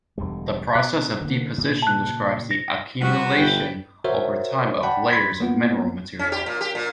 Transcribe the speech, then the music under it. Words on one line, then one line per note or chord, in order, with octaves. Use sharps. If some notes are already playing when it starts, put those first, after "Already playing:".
The process of deposition describes the accumulation, over time, of layers of mineral material.
E1 D2 G3
B2 F#6
D3 A#3
A#2 C#3
A5 F#6
A#6
F3 G3 B3 F#4
G1 B4 G5
F#4 A#4 C5 C#5 E5
D5 F#5 G5 A5 B5
B5 C6 G#6 A6 B6
A#3 B3 F4
C#4
G4
A#2
G4
A#2